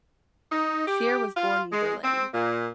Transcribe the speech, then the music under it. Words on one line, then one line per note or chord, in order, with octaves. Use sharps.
Scheer was born in Berlin.
D#4
G4
F4
G#3
C4
A#2